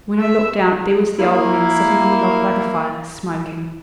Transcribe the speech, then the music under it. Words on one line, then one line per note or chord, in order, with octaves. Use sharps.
When I looked out there was the old man sitting on the log by the fire, smoking.
E5
A#3 E4